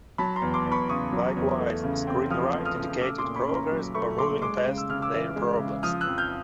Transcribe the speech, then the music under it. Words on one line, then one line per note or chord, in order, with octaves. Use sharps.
Likewise, screen right indicated progress or moving past their problems.
F#3 A5 B5
A#5 C6
E2
C6 D6
E2
B5 C#6
C#3 C#6 D#6
F#3
E2
A3
C#3
C4
F3 D#6 F6
A3
D#6 F6
C#3
A3 D6 E6
C6 D6
A#2
B5 C#6
C#4
A#5 C6
F#3
A3 B5 C#6
A#2 C6 D6
G#3 C6 D6
C#3
E6
C#3 F6
D6 E6
E3
G#3
C#3
F3 D#6 F6
E6 F#6
F2
F6 G6